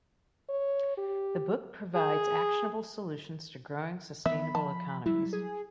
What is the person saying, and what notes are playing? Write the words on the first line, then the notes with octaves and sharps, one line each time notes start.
The book provides actionable solutions to growing sustainable economies.
C#5
G4
G#4
E3 B3 E5 B5
F3 A5
F#3 G3 E4
G#4